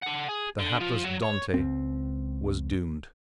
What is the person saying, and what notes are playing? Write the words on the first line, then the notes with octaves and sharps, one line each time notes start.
The hapless Dantes was doomed.
A4 F#5
G#4
D3
F3 F4
F#3
C#5
C#2 C4